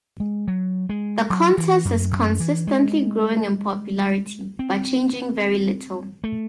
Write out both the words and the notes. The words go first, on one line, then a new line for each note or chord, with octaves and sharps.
The contest is consistently growing in popularity, but changing very little.
G#3
F#3
G#3
F#3
E3
F#2
F#2
E3
G#3
C4
A3